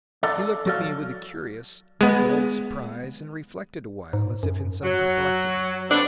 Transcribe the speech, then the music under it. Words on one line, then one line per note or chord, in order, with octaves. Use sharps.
He looked at me with a curious, dull surprise, and reflected awhile as if in some perplexity.
A4 D5
F#3 F#4 A4 D5 F5
G#3 B3
G#2
F#2
F#3
B3 C4 D4